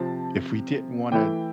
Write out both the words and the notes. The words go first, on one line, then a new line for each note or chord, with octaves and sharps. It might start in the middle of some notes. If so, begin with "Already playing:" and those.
if we didn't wanna
Already playing: C3 F3 C4 A5
E3 A3 E4 G5